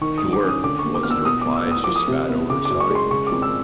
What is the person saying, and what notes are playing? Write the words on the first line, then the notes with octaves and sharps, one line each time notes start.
"Sure," was the reply as he spat over the side.
D#3 C#6
D#6
G2
D6
C#4
D#6
D3 D6
C#6
D#2
D6
B3 F6
E6
B2 D#6
E2 D6
E6
B3 D#6
F3 D6
D#6
C3
B3
C#3 D6
F#2 D6
C#6
G#3 C6
C#3 C#6
F2 D6
E6